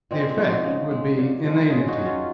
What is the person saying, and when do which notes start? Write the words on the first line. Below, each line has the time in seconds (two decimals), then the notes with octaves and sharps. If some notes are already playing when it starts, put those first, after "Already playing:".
The effect would be inanity.
0.11 A#2 G#3 C4
0.38 F3 G#3 D#4 F#4
0.64 C#3
0.91 G#3
1.17 A#2
1.43 F3 G#3
1.70 C#3 F4 G#4
1.88 D#4 F#4
1.97 F#3
2.06 C#4 F4